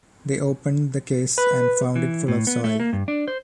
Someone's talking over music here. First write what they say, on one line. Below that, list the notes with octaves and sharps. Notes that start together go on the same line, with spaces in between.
They opened the case and found it full of soil.
B4
E3
A2
B3
A3
A#3
G2
D4
C5